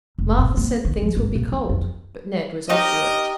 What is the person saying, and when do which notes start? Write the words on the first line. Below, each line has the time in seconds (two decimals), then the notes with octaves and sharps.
Martha said things would be cold, but Ned was obdurate.
0.18 F1
0.39 A#2
0.57 A#3
0.85 D#3
1.02 F3
1.17 G#1
1.35 A#2
1.52 E2
1.69 F2
2.69 D#4 G4 A#4 D#5 D#6